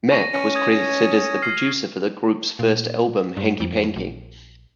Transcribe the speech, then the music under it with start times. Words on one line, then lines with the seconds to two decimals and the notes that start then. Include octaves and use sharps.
Mack was credited as the producer for the group's first album, "Hanky Panky".
0.12 C#6 A#6 D#7
0.34 C#4
0.55 D#6 G#6
1.42 F6 C7
2.59 A#2
3.37 G2
3.60 F2
3.96 A#1